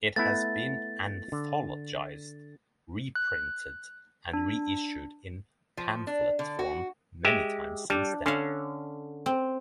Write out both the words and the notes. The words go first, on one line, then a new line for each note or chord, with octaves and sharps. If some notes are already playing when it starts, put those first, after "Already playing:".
It has been anthologized, reprinted, and reissued in pamphlet form many times since then.
A3 B3 E4 A6
D3
F#6
D4
F3
D4
D3
F#4
G#3 G4 E5
G3 D4
D3 C#4 C#5 F5
C4